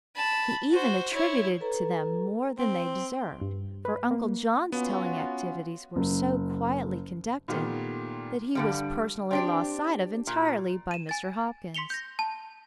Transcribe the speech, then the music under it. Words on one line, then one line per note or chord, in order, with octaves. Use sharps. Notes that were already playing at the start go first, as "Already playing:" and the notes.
He even attributed to them more than they deserved, for Uncle John's telling activities were so quietly conducted that he was personally lost sight of entirely by Mr. Hopkins.
A5 B5
F#4 C5
E4 C#5
A4 B4 A#5
C4
G2
B4
A#3
B3 C#4 F4 F#4
F#1
A#2 D#3 A3 B3 F4 G4
G2 D3 G3
C4 D4 G4
A#2
D#7 E7
G#5 A6
C6 B6 C#7 F7 G7
G6 A#6
A5